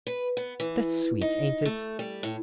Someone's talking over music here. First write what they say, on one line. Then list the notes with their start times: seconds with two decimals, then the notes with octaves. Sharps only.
"That's sweet, ain't it?"
0.07 B4
0.37 B3
0.60 E3
1.21 D#4
1.65 A3
1.99 G3
2.23 A2